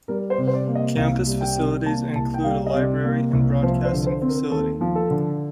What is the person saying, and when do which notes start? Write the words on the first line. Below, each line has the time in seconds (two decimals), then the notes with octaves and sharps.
Campus facilities include a library and broadcasting facility.
0.08 G3 A#4
0.30 C5
0.38 C3
0.48 C5
0.54 D5
0.67 A#3
0.75 D#5
0.97 C2 F5
1.27 G3
1.41 G5
1.56 C3
1.85 A#3 A5
2.15 C2 A5
2.34 G5
2.44 G3 F5
2.67 D#5
2.74 C3 D5
3.04 A#3
3.33 C2
3.63 F3 C5
3.85 C5
3.93 D3
4.07 C5
4.22 C4
4.29 A#4
4.51 D#2 A4
4.81 F3
4.95 A4
5.11 D3